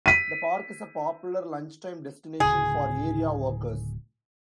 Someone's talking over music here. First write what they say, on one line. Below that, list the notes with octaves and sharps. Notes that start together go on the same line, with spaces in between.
The park is a popular lunchtime destination for area workers.
B6 D#7
D1 A2 C#3 G#4